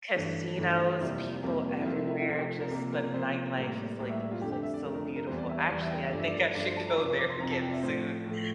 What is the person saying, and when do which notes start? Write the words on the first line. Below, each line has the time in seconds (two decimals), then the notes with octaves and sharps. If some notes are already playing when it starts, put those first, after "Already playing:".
Casinos, people everywhere, just the nightlife is like was, like, so beautiful, actually, I think I should go there again soon. Uh.
0.15 G2 E3 A3
0.57 G2 E3 A3
1.00 F2 C3 G3 A#3 E4
1.43 F2 C3 G3 A#3
1.79 E4
1.85 C3 F3 A3 F4
1.96 E4
2.06 E4
2.18 E4
2.28 C3 F3 A3 F4
2.38 G4
2.50 A4
2.60 A#4
2.71 C3 F3 A#3 A#4
2.92 A#4
3.03 A#4
3.14 C3 F3 A#3 C5
3.56 A2 G3 A#3
3.99 A2 G3 A#3
4.09 E5
4.20 E5
4.31 F4
4.41 F2 D3 A3 G4
4.52 G4
4.63 E5
4.74 D5
4.84 F2 D3 A3 A#4
4.95 A#4
5.06 A4
5.16 A#4
5.27 E2 E3 G3 C5
5.38 D5
5.49 E5
5.59 F5
5.69 E2 E3 G3 D5
5.81 E5
5.91 G5
6.02 E5
6.13 G2 F3 A3 D5
6.20 E5
6.27 D5
6.55 G2 F3 A3 D5
6.66 C5
6.76 A5
6.87 A#5
6.97 F2 C3 F3 D6
7.19 D6
7.30 C6
7.40 F2 C3 F3 A#5
7.51 A5
7.61 G5
7.68 D5
7.72 E5
7.83 A2 F3 A3 C5
8.26 A2 F3 A3